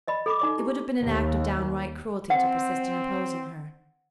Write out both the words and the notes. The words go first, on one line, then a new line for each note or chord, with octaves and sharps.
It would have been an act of downright cruelty to persist in opposing her.
D5 D#5 B5
A4 B5 D6
D#4 D5 D6
E4 G4
D#2
C4 F#5